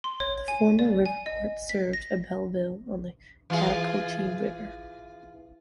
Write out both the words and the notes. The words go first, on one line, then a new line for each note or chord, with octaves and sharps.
The former river port served Abbeville on the Chattahoochee River.
C6
C#5
G#5
D5
G#5
D#5
B6
A#6
E3 F4 G#4